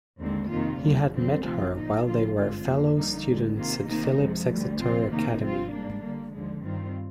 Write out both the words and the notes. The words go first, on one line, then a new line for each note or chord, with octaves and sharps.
He had met her while they were fellow students at Phillips Exeter Academy.
D#2 D3 G#3 C4
F2 C3 D#3 A#3 F4
D#2 D3 G3
F2 D3 G3 C4
D2 C3 F3 C4 F4
A#2 F3 A#3 D#4
D3 F3 A#3 F4
G2 D3 G#3 C4 F4
F2 D#3 A#3
D3 G3 A#3 D#4
D#2 D3 G#3
C3 D#3 A#3 F4
C3 D#3 A#3 D#4
F2 C3 F3 G#3
D2 D3 G3
C3 F3 C4 F4
F2 C3 D#3 A#3 D#4
G2 F3 C4 F4
G#2 G3 A#3 D4
D3 G3 A#3
D#2 D3 F3 G#3
G2 D#3 G3 C4 F4